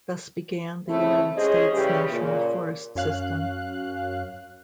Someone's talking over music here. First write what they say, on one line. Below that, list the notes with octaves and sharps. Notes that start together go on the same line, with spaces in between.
Thus began the United States National Forest System.
C#3 A3 C4 E4
C#4 G#4 C5 C#5 D#5
C#3 E3 G3 G4
A#2 C#3
F#2 C#4 F5 F#6